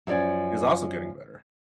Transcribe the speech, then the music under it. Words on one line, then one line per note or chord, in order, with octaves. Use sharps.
is also getting better.
F#2 F3 A4 D5 G#5